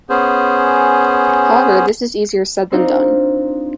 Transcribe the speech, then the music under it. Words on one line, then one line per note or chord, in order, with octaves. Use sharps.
However, this is easier said than done.
B3 C#4 G#4 C5
C4 D4 D#4 F4 A#4